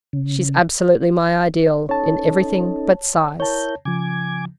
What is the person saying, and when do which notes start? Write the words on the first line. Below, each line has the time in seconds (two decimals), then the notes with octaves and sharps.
She's absolutely my Ideal--in everything but size.'
0.13 C#3
1.89 C#4 D#4 A4 C#5 A5
3.40 E4 A#4 C#5 A5 G6
3.85 C#3 F3 G#5 D6 G#6